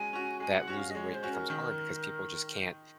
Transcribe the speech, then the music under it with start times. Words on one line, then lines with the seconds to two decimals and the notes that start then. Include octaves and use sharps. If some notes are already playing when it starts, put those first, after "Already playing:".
that losing weight becomes hard because people just can't
Already playing: G#3 C#4 F#4 G#5
0.13 C#4 F#4
0.40 G#3 G#5
0.58 F#5
0.68 C#4 F#4
0.76 F5
0.90 D#5
0.95 G#3 C#5
1.13 C5
1.23 C#4 F#4
1.31 A#4
1.50 D#3